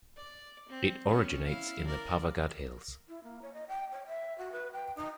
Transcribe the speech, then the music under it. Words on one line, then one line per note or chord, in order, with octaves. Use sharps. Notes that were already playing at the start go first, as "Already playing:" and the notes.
It originates in the Pavagadh Hills.
D5
C4
B3 C#4
E4 F5
A#4 D5
E4
A#3
C#5
D#5
G5
C#5
E5
F#4
B4
G5
D#4